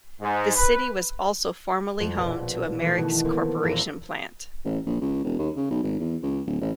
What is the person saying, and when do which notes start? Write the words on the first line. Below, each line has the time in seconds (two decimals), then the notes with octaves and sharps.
The city was also formerly home to a Merix Corporation plant.
0.21 G#2
0.55 B4
2.00 F2
2.16 A#1 B2
2.81 E3 A3
2.98 B2 D#3
3.25 A3 A#3 C4
3.63 F1 A#1 A3 A#5 E6
4.65 A1
4.86 A#1
5.01 C#2
5.24 E1
5.39 D#2
5.56 C#3
5.71 B1
5.83 G#1
6.00 E2
6.23 C#2
6.46 D1
6.61 A1